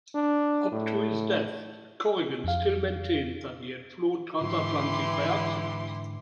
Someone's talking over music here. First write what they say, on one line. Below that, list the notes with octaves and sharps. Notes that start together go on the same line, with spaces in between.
Up to his death, Corrigan still maintained that he had flown transatlantic by accident.
D4
A2
F2 F5
G#2 D3 E3 G4 C6